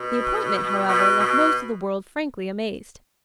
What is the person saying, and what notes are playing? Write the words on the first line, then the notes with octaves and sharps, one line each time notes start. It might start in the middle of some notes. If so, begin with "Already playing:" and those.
The appointment, however, left most of the world frankly amazed.
Already playing: B2
B2
B2